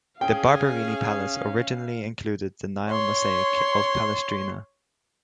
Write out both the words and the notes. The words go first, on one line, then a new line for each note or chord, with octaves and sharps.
The Barberini Palace originally included the Nile mosaic of Palestrina.
C#4 G#4 F5 G5
C#5 C6